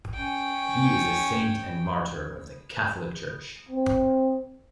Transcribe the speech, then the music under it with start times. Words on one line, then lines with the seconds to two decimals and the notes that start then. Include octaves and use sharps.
He is a saint and martyr of the Catholic Church.
0.15 C#4 G5
3.69 C4